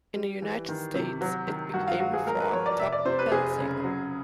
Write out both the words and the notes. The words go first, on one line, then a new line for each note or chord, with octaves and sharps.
In the United States, it became her fourth top-ten single.
G3
E3
D#3
C3
F#3
D#3
G2 F#4
F4
F#3 F#4
G#4
G#3 A#4
B4
F3 C#5
D5
F1 E5
D5
C3 C5
B4
F1 G#4
C#3
F#3